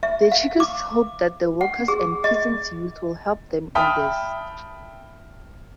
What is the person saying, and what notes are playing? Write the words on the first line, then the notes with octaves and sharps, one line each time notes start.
The Chekists hope that the workers and peasants youth will help them in this.
E5
F5
D6
F#5
G#4
D#5
E5 G5 A5 B5 D#6 F6